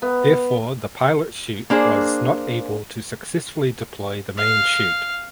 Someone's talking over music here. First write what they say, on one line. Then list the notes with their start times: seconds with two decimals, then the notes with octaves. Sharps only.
Therefore the pilot chute was not able to successfully deploy the main chute.
0.02 B3
1.70 A#3 D4 G#4 C5
4.37 F5